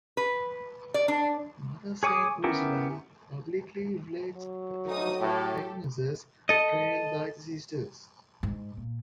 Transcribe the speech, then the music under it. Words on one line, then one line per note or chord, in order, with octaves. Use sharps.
Mother Saint Ursula publicly relates the account of Agnes's trial by the sisters.
B4
D5
D4
G#4 C#5 G#5 D6 D#6
B3 C#4 E4 G4 A#4
F#3
D2 D#4 D#6
A2 G4 A4
A4 D#5
G#2
A#2